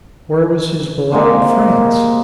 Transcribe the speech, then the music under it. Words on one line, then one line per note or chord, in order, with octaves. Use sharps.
Where was his beloved France?
C3 G#3 A#3